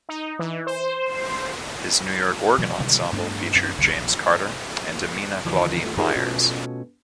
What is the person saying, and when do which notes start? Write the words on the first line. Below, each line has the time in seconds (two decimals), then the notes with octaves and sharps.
His New York Organ Ensemble featured James Carter and Amina Claudine Myers.
0.09 D#4
0.39 E3
0.67 C5
2.58 B2 E3 F#3 G#3
2.78 B2 D3 D#3 G3
3.13 G2 A3 B3 D4
3.55 F#2 C4 C#4
3.78 F1 C#2 D3 F#3
3.95 A#1
4.89 A#3
5.44 D#2 D3 E3 F3 G#3 A#3
5.83 A3 F4
5.97 D#4 F4 G4 G#4 A#4 C5
6.16 B2 A3 C#4 F4 F#4